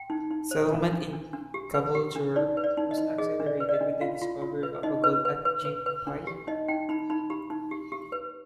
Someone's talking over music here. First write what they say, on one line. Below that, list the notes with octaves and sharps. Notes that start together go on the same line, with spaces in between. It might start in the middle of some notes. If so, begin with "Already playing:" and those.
Settlement in Caboolture was accelerated with the discovery of gold at Gympie.
Already playing: G5
D#4
D#4
C5
D4
D4
D4
D4
G4
B4
G4
D4
D#4 D5
B4
D5
D#4
D#5
D#4
G#4 D#5
D4
D5
B4
D5
D#5
D4
F4 F5
F4
F4
B4
D#4 D#5
B4
B4
B4
B4
B4
D4
G4
D#4 D#5
D#4 G5
D#4 B5
D#4 B5
G4 B5
D#4
G4
G4
B4